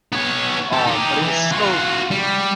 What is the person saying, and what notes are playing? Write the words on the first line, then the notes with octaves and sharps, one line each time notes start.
um, but it was so
B3 C#5
G4 A4
D#4 G4
E3
F4 F#4
G3